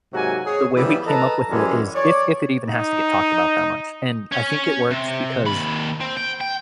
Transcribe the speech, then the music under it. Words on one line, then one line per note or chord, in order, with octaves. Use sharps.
the way we came up with it is, if if it even has to get talked about that much, and I think it works because
G#2 C3 F#3 A#3 F#4 G#5
G#4 C#5
A2 E3 F3 G3 B3
A4 B4 D#5 A5 A#5
F#2 E3 G3 G#3 C#4
C#5 D5
D#4
C#4 C#5
C3
D#2 B5
C4
G5
G5